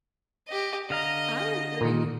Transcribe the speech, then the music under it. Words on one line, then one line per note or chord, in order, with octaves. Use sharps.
I agree.
G4 D#5
D3 D#5 F5 A#5
A#2 D#3